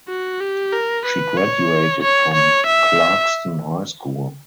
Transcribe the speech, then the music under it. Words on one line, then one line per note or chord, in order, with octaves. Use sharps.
She graduated from Clarkston High School.
F#4
G4
A#4
B4
C#5
C#5
C#5
E5